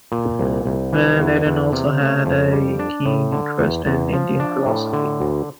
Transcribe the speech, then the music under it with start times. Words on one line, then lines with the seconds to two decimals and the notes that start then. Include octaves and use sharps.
Van Eeden also had a keen interest in Indian philosophy.
0.12 A#2
0.39 C2
0.66 C2
0.93 E3
1.19 E2
1.46 E2
1.73 C3
1.99 A3
2.26 F2
2.53 G3
2.79 D4
3.06 A2
3.32 D3
3.59 E2
3.86 E2
4.13 F3
4.40 D4
4.66 A2
4.93 D3
5.20 D2